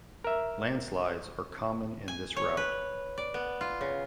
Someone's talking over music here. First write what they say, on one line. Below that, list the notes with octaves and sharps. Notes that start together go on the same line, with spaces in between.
Landslides are common in this route.
A#4 E5
G#5
C#5
B4
D5
B3
F4
C#3